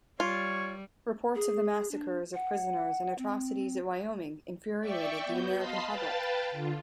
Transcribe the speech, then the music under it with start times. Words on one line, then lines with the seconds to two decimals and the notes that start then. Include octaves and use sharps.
Reports of the massacres of prisoners and atrocities at Wyoming infuriated the American public.
0.20 G3 F4 C#5
1.35 G#4
1.91 D4
2.34 F#5
3.18 C4
4.81 D5 E5 G5 C#6
5.25 B3 F#4 G6
5.55 D#5 F5 A5 B5 C6 B6
5.87 B4 F5 G5 A5 A6
6.51 D3 F4